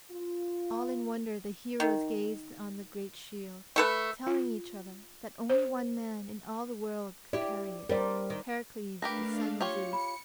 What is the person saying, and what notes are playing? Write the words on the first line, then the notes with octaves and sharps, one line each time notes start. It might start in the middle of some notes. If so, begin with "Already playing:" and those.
All in wonder the heroes gazed on the great shield, telling each other that only one man in all the world could carry it--Heracles the son of Zeus.
F4
D#3
A3 A4 B4
F4
C5
E4 G4 D5
G3 A#4 C5 D5
D#3
A3 D4 G4 A#4 B4 F5 A#6
F4 G4 C#5 C#7
B5